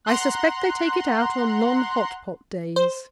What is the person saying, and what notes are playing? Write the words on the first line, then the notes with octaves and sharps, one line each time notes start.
I suspect they take it out on non-hot-pot days.'
F#5 A#5 C6 F#6
C5